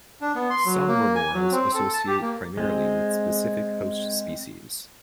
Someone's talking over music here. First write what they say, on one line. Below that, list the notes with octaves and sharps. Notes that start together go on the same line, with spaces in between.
Some remoras associate primarily with specific host species.
D4
B3
C6
F#3
A#3
G#5
F#3
C4
A4
A5
G4
A#3
G#3 C4